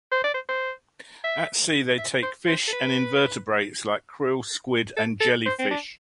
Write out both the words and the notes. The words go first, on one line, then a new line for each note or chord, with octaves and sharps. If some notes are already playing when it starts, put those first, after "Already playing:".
At sea, they take fish and invertebrates like krill, squid and jellyfish.
C5
D5
C5
C5
E5
E5
C5
C5
A4
B4
A4
A4
C5
C4
D4